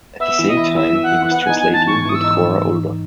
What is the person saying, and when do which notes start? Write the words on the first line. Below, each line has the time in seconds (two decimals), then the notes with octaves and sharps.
At the same time he was translating with Cora Older.
0.20 B3 E5
0.39 E3
0.48 D#5
0.57 E4
0.75 E3 E5
0.94 E3
1.03 F#5
1.13 E3
1.31 B3 F#5
1.45 D#4 G#5
1.59 G#5
1.69 E3 A5
1.87 G#2 C#6
2.05 E3 D#6
2.15 E6
2.24 D#4